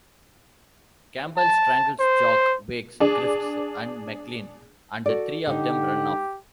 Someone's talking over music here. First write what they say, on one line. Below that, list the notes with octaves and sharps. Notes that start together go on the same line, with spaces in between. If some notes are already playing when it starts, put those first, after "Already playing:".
Campbell strangles Jock, wakes Griffiths and McLean, and the three of them run off.
A5
C5
D4 G#4
F#4 A4 D5
D3 D#4 G4